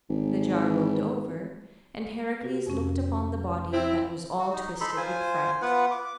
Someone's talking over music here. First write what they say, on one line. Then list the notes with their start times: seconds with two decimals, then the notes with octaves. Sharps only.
The jar rolled over, and Heracles looked upon the body that was all twisted with fright.
0.09 G#1
2.42 C3 F#4 G4
2.66 F2 C3 C#4
3.73 C4 E4
4.39 F#4
4.53 D#4
4.81 D#4 A4 B5 C6
4.97 F4 C5 G#5
5.62 B3 F4 B4 F#5
5.91 D6